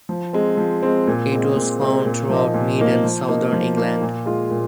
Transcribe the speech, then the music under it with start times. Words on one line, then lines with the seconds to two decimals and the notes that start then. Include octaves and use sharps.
It is found throughout mid and southern England.
0.09 F3
0.33 G#3 C4
0.57 F3
0.83 G#3 C4
1.07 A#2
1.32 G#3 C4
1.56 A#2
1.81 G#3 C4
2.05 A#2
2.30 F3 A#3 D#4
2.54 A#2
2.79 F3 A#3 D#4
3.04 F3
3.28 A#3 D#4
3.53 F3
3.77 A#3 D#4
4.02 A#2
4.26 G#3 F4
4.51 A#2